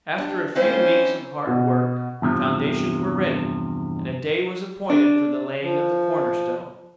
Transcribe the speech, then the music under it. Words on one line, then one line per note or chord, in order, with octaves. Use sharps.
After a few weeks of hard work the foundations were ready, and a day was appointed for the laying of the corner-stone.
D4 G4
E3 C4 C#4 D#4 F4 C5
B2
E2 G2 C3 F3
D4
F3